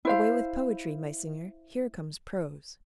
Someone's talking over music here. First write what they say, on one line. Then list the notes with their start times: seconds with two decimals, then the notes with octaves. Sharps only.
"Away with poetry, my singer, here comes prose."
0.05 E4 C5 F5